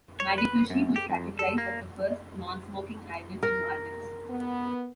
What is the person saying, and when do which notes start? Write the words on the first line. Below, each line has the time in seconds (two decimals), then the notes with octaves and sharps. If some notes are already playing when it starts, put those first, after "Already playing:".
Madifushi was catagorized as the first non smoking Island in Maldives.
0.20 C#5
0.38 B4
0.70 F#2
0.96 G4
1.10 F2
1.39 A4
1.58 A#3
3.43 A#4
4.30 B3